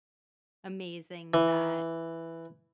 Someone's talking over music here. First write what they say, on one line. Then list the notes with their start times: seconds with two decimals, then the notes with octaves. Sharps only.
amazing that
1.34 E3